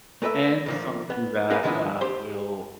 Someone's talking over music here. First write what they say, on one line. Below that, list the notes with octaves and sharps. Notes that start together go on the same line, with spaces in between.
and something that, uh, will
A3 A#3 B4 D#5 E5
D2 A#2 F3
B3
A#3 D#4 G#4 A#4 B4 F5
D#3 F3 G#3 B3 D4 E4
G4 C5 C6